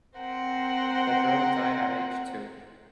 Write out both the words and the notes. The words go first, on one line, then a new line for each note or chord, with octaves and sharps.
The girl died at age two.
C4 A#4 C5 F#5 G5